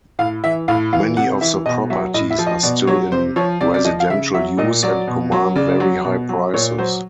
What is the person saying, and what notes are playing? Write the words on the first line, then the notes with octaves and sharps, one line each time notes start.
Many of the properties are still in residential use and command very high prices.
A2 F5
E3 E5
A2 F5
E3 F5
C3 F#5
E3 E5
B2 D#5
F#3 E5
A2 D#5
E5
F3
D#5
B2 D5
F#3 C#5
C3 C5
F3 C#5
C3 D5
D5
F3 D#5
F5
C#3 E5
F#3 E5
A#2 D#5
F#3 D5
B2
F#3
C#3 D5
F#3
B2
F#3
A#2 C#5
F#3 C5